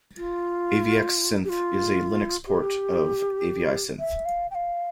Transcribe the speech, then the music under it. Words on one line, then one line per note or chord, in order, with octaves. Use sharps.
AvxSynth is a Linux port of AviSynth.
F4
G4
F4
G4
E5
F5
G5
F5